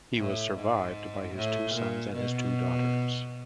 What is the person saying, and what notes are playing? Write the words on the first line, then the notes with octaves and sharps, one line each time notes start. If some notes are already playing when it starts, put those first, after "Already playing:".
He was survived by his two sons and his two daughters.
A2
G#2
A2
A#2
B2